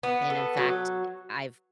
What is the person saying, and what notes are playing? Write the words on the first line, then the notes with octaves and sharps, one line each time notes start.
and in fact, I've
B3
A4
F#3